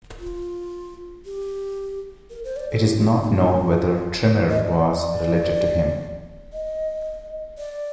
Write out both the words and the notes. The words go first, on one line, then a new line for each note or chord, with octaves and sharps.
It is not known whether Trpimir was related to him.
F4
G4
A#4
C5
D5
A4
G4
F4
D#4
D#4
F4
D#5
D5
D#5
D5
D#5
D5